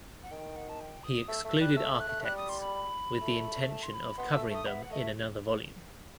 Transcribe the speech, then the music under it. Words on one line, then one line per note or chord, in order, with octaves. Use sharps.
He excluded architects with the intention of covering them in another volume.
F#5
D#3 G5
F#5
A5
G5
D#6
A3 E6
A3 E6
G3 F#6
A3 E6
A3
F#6
A3
A3
G3 F#6
D#6
C6
B5
A3
A5
C6
B5
B3 C6
A3 E6
A3 D#6
B3 E5
F#5
A3 D#5
E5